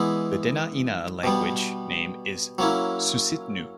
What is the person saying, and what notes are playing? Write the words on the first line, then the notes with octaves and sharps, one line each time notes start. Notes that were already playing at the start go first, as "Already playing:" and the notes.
The Dena'ina language name is "Susitnu".
Already playing: E3 G#3 B3 E4
B2 G3 B3
F#3 A#3 C#4 E4